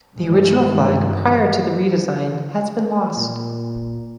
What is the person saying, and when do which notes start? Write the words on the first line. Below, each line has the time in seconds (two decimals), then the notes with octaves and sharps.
The original flag prior to the redesign has been lost.
0.16 G2 C3 D#3 E3 F#3 G#3
3.17 A#2